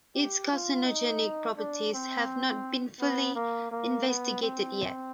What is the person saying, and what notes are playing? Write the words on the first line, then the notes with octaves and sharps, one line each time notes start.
Its carcinogenic properties have not been fully investigated yet.
G4
F4
D#4
D4
C4
B3
A#3
A#3
B3
C4